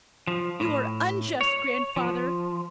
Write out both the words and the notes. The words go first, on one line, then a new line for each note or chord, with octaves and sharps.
You are unjust, Grandfather.
F3
A2
C#5
F3